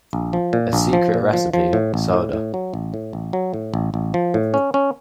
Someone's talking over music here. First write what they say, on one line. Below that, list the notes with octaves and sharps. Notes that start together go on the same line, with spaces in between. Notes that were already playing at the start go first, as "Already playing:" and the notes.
A "Secret Recipe" soda.
A#1
F3
A#2
A#1
F3
A#2
F3
F3
A2
A1
A2
A2
F#3
A1
A2
A1
F#3
A2
A1
A1
F3
A2
C#4
C#4